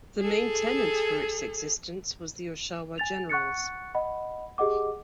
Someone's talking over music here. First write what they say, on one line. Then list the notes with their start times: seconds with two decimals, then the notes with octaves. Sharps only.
The main tenant for its existence was the Oshawa Generals.
0.20 G#4 A4
2.98 G#5 A6 F7
3.30 F#5 C#6 F#6 A6 C#7
3.95 D#5 F#5 B5
4.58 G4 G#4 D#5 F#5 D6